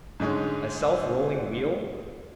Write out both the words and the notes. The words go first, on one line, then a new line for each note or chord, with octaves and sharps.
A self-rolling wheel?
G#2 D3 G#3 C#4